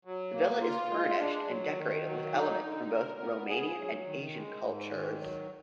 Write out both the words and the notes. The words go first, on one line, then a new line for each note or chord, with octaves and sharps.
The villa is furnished and decorated with elements from both Romanian and Asian cultures.
F#3
A#3
F4
G#3
D4
F#3
D#3
F#3
D#4
D3
A#4
B3
G#4
F#3
D#3
G#3
G#2
D#3
F#3